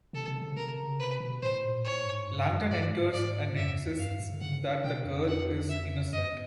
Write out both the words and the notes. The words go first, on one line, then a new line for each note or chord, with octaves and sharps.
Langdon enters and insists that the girl is innocent.
C3 A4
C3
C#3
C3 A#4
C#3
C3 B4
B2
A2 C5
A#2
A2 C#5
G#2
G2
F#2
G2 D5
G#2
D5
F#2 E5
F2
E2
F2
G2 F5
G2
D3
C#3 F#5
B2 G5
F2
F#5
E5
F#2 D#5